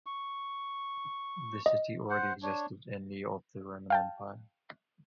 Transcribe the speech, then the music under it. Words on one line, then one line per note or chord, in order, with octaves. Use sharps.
The city already existed in the of the Roman Empire.
C#6
D#5
C5 F#5
D4 C#5
F5 G5 A5